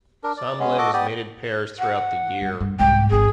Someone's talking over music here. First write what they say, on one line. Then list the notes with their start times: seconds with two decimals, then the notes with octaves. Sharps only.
Some live as mated pairs throughout the year.
0.24 D4 A#4
0.37 D5
0.60 G#3 B3 C#4
0.78 F#4 A4 D#5 D6
0.93 B3 G4 D5 D#6
1.79 F#5
2.41 G2
2.60 G2
2.79 C2 G#2 G5
3.10 G#1 F3 G#4